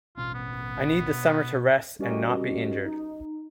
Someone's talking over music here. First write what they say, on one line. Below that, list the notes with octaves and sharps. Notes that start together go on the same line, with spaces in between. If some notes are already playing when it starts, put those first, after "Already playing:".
I need the summer to rest and not be injured.
A1 B2 C#4 F4
B3
B2
G3 C#4 F#4 G4 A#4 D#5
D#4